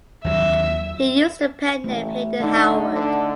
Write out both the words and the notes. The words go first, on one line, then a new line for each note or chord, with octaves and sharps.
He used the pen name Hayden Howard.
D#2 F#3 E5
A1 A3
D3 A3 D#4
D3